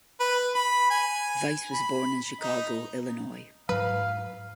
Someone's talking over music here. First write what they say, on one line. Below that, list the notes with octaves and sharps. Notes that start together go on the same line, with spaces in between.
Weiss was born in Chicago, Illinois.
B4
B5
G#5
B5
D#4
G#2 F#3 B4 F5